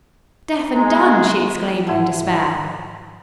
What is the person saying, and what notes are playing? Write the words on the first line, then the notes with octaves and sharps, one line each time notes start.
"Deaf and dumb!" she exclaimed in despair.
G#3 A#5
G#2 F3 E4 E5 F#5 A5